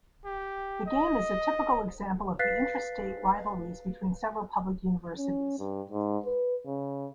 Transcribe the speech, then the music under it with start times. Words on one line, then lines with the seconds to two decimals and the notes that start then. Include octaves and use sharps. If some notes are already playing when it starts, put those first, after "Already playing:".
The game is a typical example of the intrastate rivalries between several public universities.
0.25 G4
0.87 D#5
2.39 B4 F5 F#6 A6 B6 C7
5.18 C#4
5.59 G2
5.90 G#2
6.26 B4
6.66 C#3